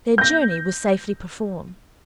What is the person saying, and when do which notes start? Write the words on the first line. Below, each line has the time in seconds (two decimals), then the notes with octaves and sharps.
Their journey was safely performed.
0.18 G6 A#6